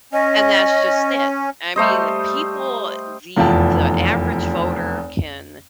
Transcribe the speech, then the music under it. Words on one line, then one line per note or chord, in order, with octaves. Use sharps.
And that's just it. I mean, people the the average voter can
C#4 D#5
G3 A3 C5 D#5
F1 E2 F4 G5 A5